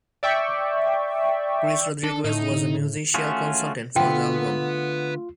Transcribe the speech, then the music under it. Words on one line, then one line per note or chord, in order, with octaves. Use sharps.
Chris Rodriguez was a musical consultant for the album.
D5 E5 G5 C#6
D4 A4
A2 D#4
D3
A3 C#4 F4 F#4 G#4
D3 A3 F4 B4 F#5 G5